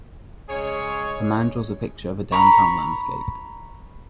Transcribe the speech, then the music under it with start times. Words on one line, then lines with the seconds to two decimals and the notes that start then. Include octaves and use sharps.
A man draws a picture of a downtown landscape.
0.49 C#3 G#3 G#4 C#5
2.32 A#5 B5 C#6